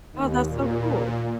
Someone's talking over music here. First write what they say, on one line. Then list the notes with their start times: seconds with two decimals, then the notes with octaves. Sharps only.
Oh, that's so cool.
0.12 D#2
0.47 A#2